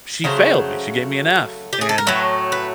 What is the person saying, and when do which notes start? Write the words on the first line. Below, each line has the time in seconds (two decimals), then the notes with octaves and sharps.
She failed me, she gave me an F, and,
0.24 C#3 F#3 A3 C5
1.73 G4
1.81 G#4
1.89 A4
1.98 A#4
2.07 A2 F#3 A3 B4
2.52 B4